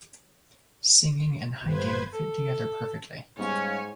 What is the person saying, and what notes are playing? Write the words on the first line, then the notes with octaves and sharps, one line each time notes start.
Singing and hiking fit together perfectly.
G1 B4 C5 G#6
A4
G#2 G3 B3 C#4 C#5 F5 G#5